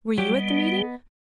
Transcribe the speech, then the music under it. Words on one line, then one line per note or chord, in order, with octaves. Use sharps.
"Were you at the meeting?"
F#3 G3 G4
B3 D#5